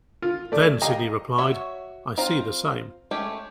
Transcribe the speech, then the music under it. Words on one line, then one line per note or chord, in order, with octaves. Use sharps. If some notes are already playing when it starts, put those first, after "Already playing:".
Then Sidney replied, 'I see the same.
F4
A3 D5
G4 D#5 F5 A#5
F#4 C#5 E5
C4 F4 F5 A#5
G#3 A3 C#4 G4